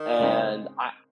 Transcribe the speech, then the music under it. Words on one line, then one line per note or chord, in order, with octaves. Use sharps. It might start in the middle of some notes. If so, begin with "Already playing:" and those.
And I
Already playing: D#3
C#3 G#3 C4 D#4